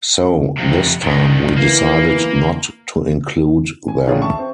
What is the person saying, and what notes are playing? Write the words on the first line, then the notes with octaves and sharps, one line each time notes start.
So this time we decided not to include them.
F2 C3
G2 D#3
E3 A#3
G#5
D3 D#3 C#4 F4 G#4
E5 A5 C#6
C4